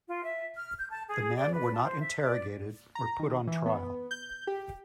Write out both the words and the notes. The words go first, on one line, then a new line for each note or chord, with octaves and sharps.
The men were not interrogated or put on trial.
F4
E5
F6
G6
A5
G#4
D5
B4
A5
C5
E5
D5
A#5
D#3
E3
B3
G6
G4